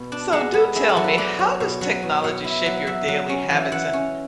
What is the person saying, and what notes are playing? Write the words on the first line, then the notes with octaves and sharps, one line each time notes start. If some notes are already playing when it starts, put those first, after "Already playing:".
So do tell me, how does technology shape your daily habits and
Already playing: B2 B5
D4 A5
G#3 F#5
B3
E4 G#4
A4
F#3
B4
F#3 D5
F#3
B2
F#3
B2
B2
E4
F#3
F#3 E5
F#3
C#4
E3
E3 F#5
C#4